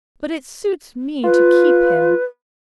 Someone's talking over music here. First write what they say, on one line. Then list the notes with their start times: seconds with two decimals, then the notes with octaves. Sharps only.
But it suits me to keep him.
1.24 F4 B4